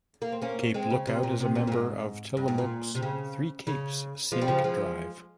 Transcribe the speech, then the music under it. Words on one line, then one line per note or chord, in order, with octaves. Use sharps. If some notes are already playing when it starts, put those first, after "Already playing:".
Cape Lookout is a member of Tillamook's Three Capes Scenic Drive.
A#3
C4
A#3 C#4
G#3 C4
C#3
C3
A#2
C3
A#2
A#2
G#2
G2
G#2
A#2
C3
C#3
C#3
F3 G#3
G3
C#3 F3
F3 G#3